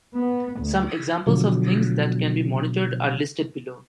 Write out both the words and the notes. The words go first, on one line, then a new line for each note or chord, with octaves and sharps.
Some examples of things that can be monitored are listed below.
B3
D2
B2 D3 F3 F#3